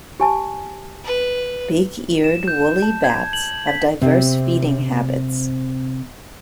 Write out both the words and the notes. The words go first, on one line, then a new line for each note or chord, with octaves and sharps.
Big-Eared Woolly Bats have diverse feeding habits.
G4 G#5 A5
B4
E7
G6
A5
G#6
F#7
B6
C3 C4